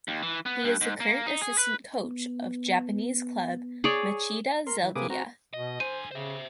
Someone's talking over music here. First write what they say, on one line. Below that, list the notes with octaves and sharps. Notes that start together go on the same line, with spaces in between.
He is the current assistant coach of Japanese club Machida Zelvia.
D#2
E3
B3
G2
G#2
A#3
D#4
G#4
B4
B3
G#4 C#5 D5
A#4 C6
E3
C3 A#3 G#4 B4 D6 D#6
C4 F#4 A#5
B2 D#5
D3 C5 G#5 D#7
C#3 C5 E5